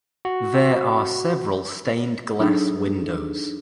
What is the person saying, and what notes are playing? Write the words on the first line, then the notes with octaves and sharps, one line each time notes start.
There are several stained glass windows.
F#4
F#3 D4 D#4 G#4 A4